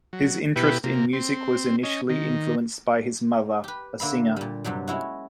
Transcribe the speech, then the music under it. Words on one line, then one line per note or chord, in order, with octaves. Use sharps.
His interest in music was initially influenced by his mother, a singer.
F#3
B2 E4 G4 B4
C3 A#3
C4
C#4 D#5
D#3
G4 B4
D3 A#3 E5 B5
A#2 G3
G2 C3 F#3 G3
G#3 C#4 E4 F#4